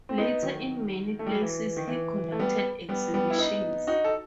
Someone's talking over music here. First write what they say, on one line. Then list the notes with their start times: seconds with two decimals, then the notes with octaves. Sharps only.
Later in many places he conducted exhibitions.
0.09 C4
0.18 B3 D#4
0.43 D#3 F#3
1.19 A3
1.26 G3
1.34 F#3
1.41 E3
1.66 E3
1.77 D#3
1.87 E3
2.32 A3
2.39 G3 B3
2.89 G3 B3
3.14 G3 B3
3.30 E4
3.39 B3 D#4
3.87 D#4 F#4
4.04 A4